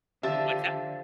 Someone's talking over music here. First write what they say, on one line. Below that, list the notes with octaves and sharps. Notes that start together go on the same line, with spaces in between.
What's that?
D3 F3 G4 E5 A6